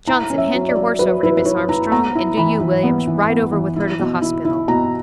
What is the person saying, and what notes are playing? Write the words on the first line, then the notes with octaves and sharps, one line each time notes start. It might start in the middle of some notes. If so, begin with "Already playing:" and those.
Johnson, hand your horse over to Miss Armstrong, and do you, Williams, ride over with her to the hospital.
E4 A#5
C#4
E5
F#3
D5
F#3
F#3 B4
E4 B4
B4
E4 C#5
E4 A#5
B3 A#5
E4
E3 B5
E3
B3
E3
B3
E3
E4
B2
E4
E4
B2 A#5